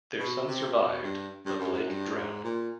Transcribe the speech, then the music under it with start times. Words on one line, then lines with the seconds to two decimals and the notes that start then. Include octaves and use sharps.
Their son survived, but Blake drowned.
0.19 B2
0.47 C3
0.74 B2
1.03 G2
1.46 G2
1.60 F#2
1.74 F#2
1.88 G2
2.15 G#2
2.44 A#2